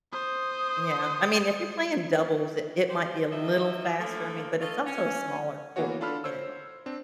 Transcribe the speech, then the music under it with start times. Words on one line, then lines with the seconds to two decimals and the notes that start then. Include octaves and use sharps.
Yeah, I mean, if you're playing doubles, it it might be a little faster, I mean, but it's also a smaller court, you know?
0.12 C5 D#6
2.89 G4 C5
3.31 C3 F3 D#5 E5
4.00 D3 F3 A3 A#3
4.61 A3 F4 D#5
4.87 C#4
5.76 E3 A#3 B3 F#4 C#5
6.01 D4 F4 A4 B5 F6
6.24 C5 C#5 E6
6.86 C4 D4